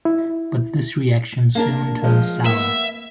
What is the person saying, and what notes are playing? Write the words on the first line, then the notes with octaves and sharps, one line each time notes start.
But this reaction soon turned sour.
E4
A#3 D4 A#4
F3 G#3
A#3 B3 E5